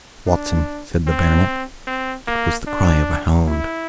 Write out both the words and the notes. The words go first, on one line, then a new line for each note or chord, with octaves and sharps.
"Watson," said the baronet, "it was the cry of a hound."
D4
C4
C4
A#3
D4
E4